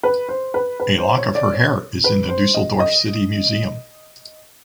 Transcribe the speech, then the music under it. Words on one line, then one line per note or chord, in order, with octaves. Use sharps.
A lock of her hair is in the Düsseldorf City Museum.
B4
C5
B4
B4
C5
C#5
D5
C#5
B4
C5
D#5
D#5